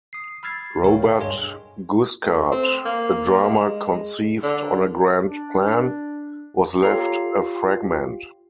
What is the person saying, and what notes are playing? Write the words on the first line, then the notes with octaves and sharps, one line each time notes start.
"Robert Guiskard", a drama conceived on a grand plan, was left a fragment.
D#6 C7
B5 E6 F6 G#6 A6 C7
D2 B2 A#4 C#5 F5 G5
A4 A#4 C#5 E5 F5 G5
G2 G#4 C#5 D#5 G#5 C6
A3
C4
A#3
G#3
D3
D4
F4 G4 A4 C#5 A#5 C7